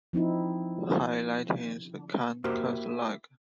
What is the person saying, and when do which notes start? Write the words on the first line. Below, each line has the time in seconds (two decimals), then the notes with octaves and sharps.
High latency can cause lag.
0.13 F3 C4 D#4 E4
2.44 A#3 E4 F#4 G4 A#4 C5